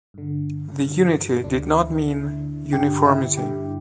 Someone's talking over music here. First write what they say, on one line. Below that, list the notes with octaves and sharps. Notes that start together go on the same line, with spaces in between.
The unity did not mean uniformity.
G2 D3
G2 D3
D2 D3 D4
E4
D2 D3
G2 D3 G4
E4
G2 D3 G4